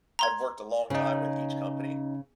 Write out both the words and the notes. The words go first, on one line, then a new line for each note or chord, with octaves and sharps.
I've worked a long time with each company
A#5 C6 G#6
C#3 C#4 D#4